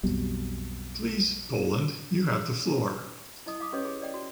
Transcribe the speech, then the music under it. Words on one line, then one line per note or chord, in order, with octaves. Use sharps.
Please, Poland, you have the floor.
B1 F2 B2 G3
E4 D#5 D#6
F5 D6 D#6
C#4 G4 B4 C#5 D#5
G#4
D5 D#5 G5
F#4